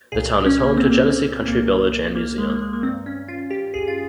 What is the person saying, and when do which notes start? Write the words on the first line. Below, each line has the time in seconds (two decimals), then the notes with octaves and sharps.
The town is home to Genesee Country Village and Museum.
0.12 C2 A#2 G#4
0.46 C#4
0.63 A#3
0.77 C4
0.90 A#3
1.48 C2 A#2 A#3
2.15 A#3
2.38 G#3
2.50 A#3
2.62 G#3
2.73 A#3
2.83 D#3 C4
2.86 G2
3.06 C#4
3.28 F4
3.51 G4
3.74 G#4
3.88 F4